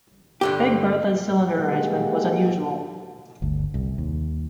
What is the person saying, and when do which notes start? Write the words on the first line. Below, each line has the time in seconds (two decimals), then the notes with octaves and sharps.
Big Bertha's cylinder arrangement was unusual.
0.41 G2 D3 G4
1.53 G#3 A#3 D#4 F#4 G4
3.42 G1 D2
3.74 C2
3.98 D#2